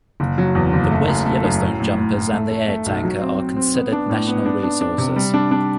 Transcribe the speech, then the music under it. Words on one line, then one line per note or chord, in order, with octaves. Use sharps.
The West Yellowstone jumpers and the air tanker are considered national resources.
F#1
F#3
E2
F#1
A3
F#2
A3
F#2
A2
A2
A2
A2
A3
A3
A3
B1
F#3
C4
C4
C4
B3
D4
A2
B3
D4
D4
D4
C3
G3
D4
D4